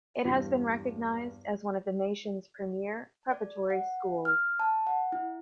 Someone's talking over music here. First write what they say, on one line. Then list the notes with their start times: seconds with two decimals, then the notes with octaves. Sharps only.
It has been recognized as one of the nation's premier preparatory schools.
0.25 E2 G2 G4
3.31 D5
3.70 F#5
4.25 F6
4.60 A5
4.87 F#5
5.12 E4